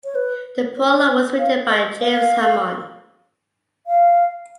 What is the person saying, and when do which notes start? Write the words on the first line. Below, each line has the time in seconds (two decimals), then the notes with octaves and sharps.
The prologue was written by James Hammond.
0.05 C#5
0.15 B4
0.77 C#5
1.39 F5
1.70 D#5
2.01 F5
3.87 F5